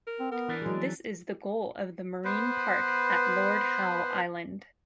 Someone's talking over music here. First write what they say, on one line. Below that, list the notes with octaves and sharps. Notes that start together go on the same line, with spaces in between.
This is the goal of the marine park at Lord Howe Island.
A#4
C4
B3 A#4
E3 D4
F#3 G#3 G#4
B3 B4 C5